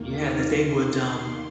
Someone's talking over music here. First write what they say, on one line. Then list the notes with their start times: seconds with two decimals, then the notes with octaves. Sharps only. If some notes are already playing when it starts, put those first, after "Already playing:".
Yeah, that they would, um,
Already playing: D#2 D#3 A#3
0.18 F6
0.54 C6